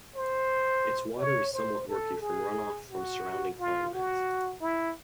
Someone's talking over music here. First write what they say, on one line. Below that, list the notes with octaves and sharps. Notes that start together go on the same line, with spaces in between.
Its water is somewhat murky from runoff from surrounding farmlands.
C5
C#5
C5
A4
G#4
F#4
F4
F#4
E4